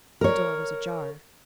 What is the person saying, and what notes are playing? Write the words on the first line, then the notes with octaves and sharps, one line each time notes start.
The door was ajar.
A#4 C#5